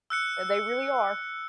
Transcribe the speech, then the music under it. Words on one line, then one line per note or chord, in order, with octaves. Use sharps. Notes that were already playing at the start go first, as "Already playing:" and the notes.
The They really are.
E6 F#6 C#7